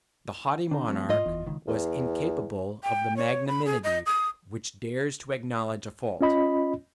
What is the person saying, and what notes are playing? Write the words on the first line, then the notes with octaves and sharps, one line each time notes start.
But the haughty monarch was incapable of the magnanimity which dares to acknowledge a fault.
D3 D4 D#4 A#5
F3 A3 C4 F#4
G#2 F4 D#5
F#1 E2
C#2 D#3
E2
G5
C#5
B5
G#4
D#5
D#6
C#4 F4 D#5 B5